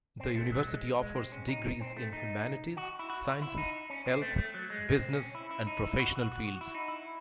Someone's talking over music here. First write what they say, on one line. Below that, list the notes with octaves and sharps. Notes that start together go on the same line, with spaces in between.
The university offers degrees in humanities, sciences, health, business and professional fields.
C4
A3
F#3
G#3
G#3
C4
C#4
D#4
C4
A3
D#4
F#4
E4
F#4
E4
D#4
C#4
C4
A3
A3
F#3
G#3
C4
C#4
E4
E4
D#4
E4
F#4
F#4
F#4
F#4
E4
D#4
E4